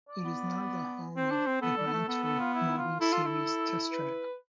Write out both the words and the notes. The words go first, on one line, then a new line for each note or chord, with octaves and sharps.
It is now the home of "The Grand Tour" motoring series' test track.
D5
B3
C4 C5
D4
C4
B3 A4
G3
B3
A3
B3 A4
A4
F4
E4
F4
E4 A4
F4
E4 A4
B4